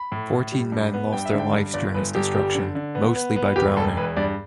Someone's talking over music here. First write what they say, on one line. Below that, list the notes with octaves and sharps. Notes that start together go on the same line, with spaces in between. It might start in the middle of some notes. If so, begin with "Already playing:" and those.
Fourteen men lost their lives during its construction, most by drowning.
Already playing: B5
A2
A2
G3
G2
B3
G2 G5
E5
D3
G5
G2
G1 D5
G1 B4
G1 G4
G3
D3
D3
B3
B3
B3
E1 G4
E1 A4
E2 B4
G2 D5